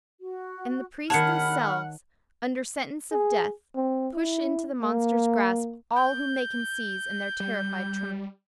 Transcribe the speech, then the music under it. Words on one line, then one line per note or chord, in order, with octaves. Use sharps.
And the priests, themselves under sentence of death, push into the monster's grasp all whom they can seize in their terrified, trembling fingers.
F#4
D#3 C#5 F#5 A5 B5 F6 C#7
G#4
C4
E4
A#3
G6
G3